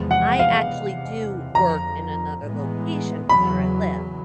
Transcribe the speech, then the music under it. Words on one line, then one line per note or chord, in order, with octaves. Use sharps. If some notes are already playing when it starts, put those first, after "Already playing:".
I actually do work in another location from where I live,
Already playing: E2 C3 F3 G#3 B3
F#5
F5
E2 C3 E3
F2 D3 F3 A#5
A2 E3 G#3 B3
E2 C#3 F#3 B5